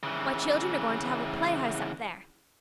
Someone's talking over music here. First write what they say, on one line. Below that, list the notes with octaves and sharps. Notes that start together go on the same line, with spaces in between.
My children are going to have a play-house up there.
C#3 E3